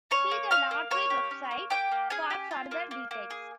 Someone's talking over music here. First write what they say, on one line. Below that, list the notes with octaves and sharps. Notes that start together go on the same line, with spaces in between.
See the lottery website for further details.
C#4 C#5 C#6
A#3
C#4 F5 F6
A#3
A#3 C#5 C#6
G4
C#4
A#3
A#3 G4 G5
A#3
C#4 G#4 G#5
G4
F4
A#3
A#3
A#3
G#4